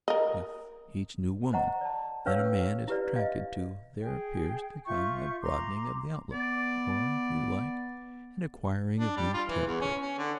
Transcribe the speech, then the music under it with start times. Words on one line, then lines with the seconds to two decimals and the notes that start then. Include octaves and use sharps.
With each new woman that a man is attracted to there appears to come a broadening of the outlook, or, if you like, an acquiring of new territory.
0.08 A#4 D#5
1.53 C5 D#5 F#5 A#5 C#6
1.81 D5 A5
2.26 C#4 B4 C#5 F5 C#6 E6
2.88 E4 G4 B4 D5
3.16 D#5 F5
4.02 G#4 G5
4.87 F4 E5 C#6 G6
5.42 A#5 C6 D6
6.33 B3 D5
8.98 D4
9.17 G3
9.34 F4
9.48 E3
9.67 E2
9.81 C#4
10.02 C#4
10.18 D3